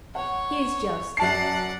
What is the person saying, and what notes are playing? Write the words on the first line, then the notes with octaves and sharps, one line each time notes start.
He is just.
C#5 F#5
F#2 D5 F#5 A5 C7